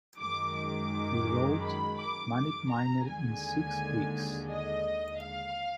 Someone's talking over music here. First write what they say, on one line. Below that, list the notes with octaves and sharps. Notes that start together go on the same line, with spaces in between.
He wrote "Manic Miner" in six weeks.
F#2 D#3 G#3 D6
D6
B5
D6
D6
A#5
D#2 D3 G#3 G#5
D#5
F5